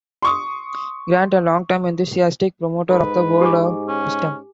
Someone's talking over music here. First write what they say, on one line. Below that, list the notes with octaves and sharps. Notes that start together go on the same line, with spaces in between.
Grant, a long-time enthusiastic promoter of the Word of Wisdom.
C6 C#6 D#6
G#2 A4 B4
G4 G#5 D6
C#4